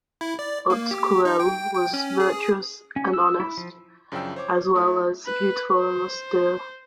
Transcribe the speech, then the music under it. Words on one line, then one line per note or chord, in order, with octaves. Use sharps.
Utz-Colel was virtuous and honest, as well as beautiful and austere.
E4
D5
A#3
G4
D#4
G5
G5
C#4
G#4
C#4
E6
E4
F3
F#2 C#3 F3 D4 G5 E6
C5 C#5 D6
F#3 A3 E4
B4
C5